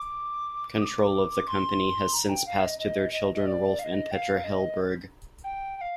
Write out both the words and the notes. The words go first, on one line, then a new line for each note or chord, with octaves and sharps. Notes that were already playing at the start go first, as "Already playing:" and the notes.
Control of the company has since passed to their children Rolf and Petra Hilleberg.
Already playing: D6
D#6
D6
C6
A#5
G5
F5
D#5
D#5
D#5
D#5
D5
F5
D#5
G5
F5
D#5
G5
G5
F5